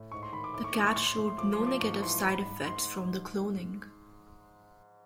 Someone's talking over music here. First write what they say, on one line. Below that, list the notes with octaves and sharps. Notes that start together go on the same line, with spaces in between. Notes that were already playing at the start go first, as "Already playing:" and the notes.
The cat showed no negative side effects from the cloning.
Already playing: A2
G#2 C#6
C6
D#3 B5
D6
A2 D6
C#6
E3 D6
C#6
A2 C6
C6
A2
C6
F3 D6
C6
F3
D6
G#2 C#6
E3 C6
G#2 B5
G#2
G#2 C6